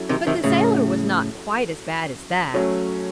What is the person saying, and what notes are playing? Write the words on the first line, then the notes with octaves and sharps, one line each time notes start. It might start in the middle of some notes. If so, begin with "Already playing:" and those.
But the sailor was not quite as bad as that.
Already playing: F#3 C#4 E4 A4
C3 D#3
C3 D#3
A2 C#3
F#3 A3 C#4